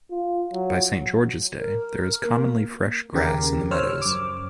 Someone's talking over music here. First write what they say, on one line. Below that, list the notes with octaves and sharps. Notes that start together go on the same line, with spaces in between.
By St. George's Day, there is commonly fresh grass in the meadows.
F4
F#3
A#4
A#3
D#2 C#3 G4 A#4
C5 C#5 E6 F6
F#2 D6